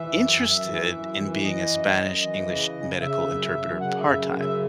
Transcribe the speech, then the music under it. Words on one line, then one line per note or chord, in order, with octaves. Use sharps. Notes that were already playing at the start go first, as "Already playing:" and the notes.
interested in being a Spanish-English medical interpreter part time,
Already playing: E3 E5
F#2
F#2
E3
F#2
E3
E3 D#5
F#2
F#2
E3
C#3
C#3
C#3 E5
F#2
F#2
C#3 F#5
E5
F#2
C#3
E5